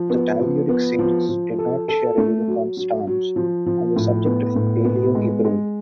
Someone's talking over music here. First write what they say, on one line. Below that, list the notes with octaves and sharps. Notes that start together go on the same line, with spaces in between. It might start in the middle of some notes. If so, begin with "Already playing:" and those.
The Talmudic sages did not share a uniform stance on the subject of Paleo-Hebrew.
Already playing: F3
B3
F3
B3
F3
F3
A4
A4
A3
F#3
F#3
F#3
F3
F3
A2
B3
A2
B3
G#3
G#3